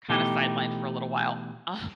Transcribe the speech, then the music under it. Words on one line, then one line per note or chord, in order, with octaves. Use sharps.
kind of sidelined for a little while. Um,
B2 E3 A3 D#4 G4